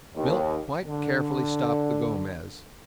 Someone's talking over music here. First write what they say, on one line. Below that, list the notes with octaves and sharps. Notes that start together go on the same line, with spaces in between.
Milt quite carefully stopped the Gomez.
D#2
D3